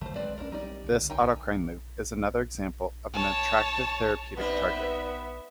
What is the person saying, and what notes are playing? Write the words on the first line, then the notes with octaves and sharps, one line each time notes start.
This autocrine loop is another example of an attractive therapeutic target.
G#1 D3 F#3 A3 C5
G#3 C4 B4 D5
D2 C#4 D4 A#4
G3 B3 C4 D#4 G4 D5
C#2 D3
D#4 G5 G#5
C#5 A5
G3 B3 C4 D#4 B4 E5